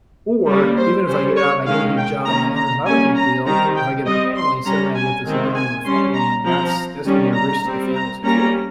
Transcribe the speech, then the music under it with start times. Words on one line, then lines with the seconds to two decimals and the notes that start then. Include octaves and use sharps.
or, even if I get out and I get a good job and the loan is not a big deal, if I get a family, suddenly I've got this loan with a family and that's that's gonna be a risk to the family security.
0.47 G3 A#3 C#4
0.77 C5
1.07 G3 C#4 C5
1.37 C#5
1.67 D#3 G#3 C#4 F5
1.97 G5
2.26 D#3 A#3 C#4 A#5
2.56 A#5
2.86 G3 A#3 C#4 G#5
3.16 A#5
3.46 D#3 G3 C4 A#5
3.76 G5
4.05 G3 C4 D#5
4.36 C6
4.65 G3 C#4 A#5
4.96 G#5
5.26 D#3 G#3 C4
5.56 G#5
5.85 G3 C#4 C6
6.16 A#5
6.45 F3 C4 A#5
7.05 D#3 G3 C#4
7.35 A#5
7.65 G3 C4
7.95 A#5
8.24 G3 A#3 C#4 A#5